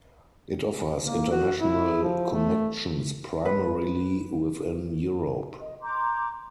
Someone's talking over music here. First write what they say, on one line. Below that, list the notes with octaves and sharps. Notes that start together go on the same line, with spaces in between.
It offers international connections primarily within Europe.
A#3
F#4
E4
F3
A3
B4
D#5
A#5 C6 D6 G6